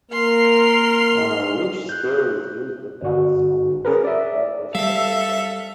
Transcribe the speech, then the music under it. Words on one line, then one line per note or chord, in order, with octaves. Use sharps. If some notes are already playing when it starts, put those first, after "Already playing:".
Which scale is used depends on the purpose of the test.
A#3 A#4 C6 F6
F#6 G6
G1 F#4
C#4 G#4 A#4 B4
D5 E5
G3 A4 E5 F5